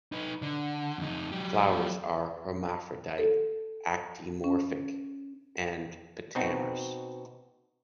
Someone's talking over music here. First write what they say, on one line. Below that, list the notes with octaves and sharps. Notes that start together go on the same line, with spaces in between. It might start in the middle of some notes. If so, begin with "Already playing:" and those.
Flowers are hermaphrodite, actinomorphic and pentamers.
D#4 B4
D3
F2 D#4
F#3 G4
A4
C#4
B2 C4 D#4 F#4